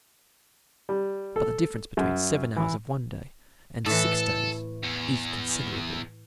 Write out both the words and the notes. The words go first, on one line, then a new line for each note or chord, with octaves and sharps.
But the difference between seven hours of one day and six days is considerable.
G3
A4
F#2
E3
A2 E3 A4
E2